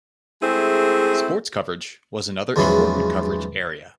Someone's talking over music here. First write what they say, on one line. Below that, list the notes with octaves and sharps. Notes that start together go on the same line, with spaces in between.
Sports coverage was another important coverage area.
G#3 A3 C4 E4 G#4
E2 G#2 F3 F#3 C#4 E4